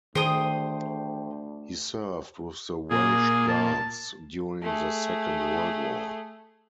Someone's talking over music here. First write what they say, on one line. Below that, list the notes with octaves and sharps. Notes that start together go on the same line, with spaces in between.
He served with the Welsh Guards during the Second World War.
D2 D#3 G#4 C5 G5 D#6
A#2 G#4
A5
A3 G#4